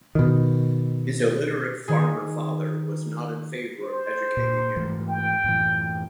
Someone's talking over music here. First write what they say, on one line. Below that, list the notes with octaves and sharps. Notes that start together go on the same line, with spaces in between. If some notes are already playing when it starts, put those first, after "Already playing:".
His illiterate farmer father was not in favor of educating him.
B2 D#3
D#3 G#4
C5
A#2
G#2 E3 A3
G5
F#2 A2 E3